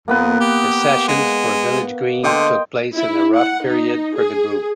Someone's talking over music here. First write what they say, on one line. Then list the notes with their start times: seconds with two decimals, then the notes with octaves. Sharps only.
The sessions for "Village Green" took place in a rough period for the group.
0.08 F2 A#3 B3 B4
0.40 G4
1.08 G#3
2.24 D3 D#5 G5 C6
2.96 E4
3.36 F#5
3.65 D#4
4.17 G#4